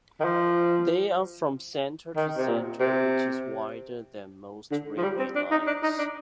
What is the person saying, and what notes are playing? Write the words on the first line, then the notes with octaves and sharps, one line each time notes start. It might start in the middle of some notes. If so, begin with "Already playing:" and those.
They are from center to center, which is wider than most railway lines.
D#3
F3
D#3
C3
A#2
C3
D3
F3
G3
C4
D4
D#4
D4
D#4
D4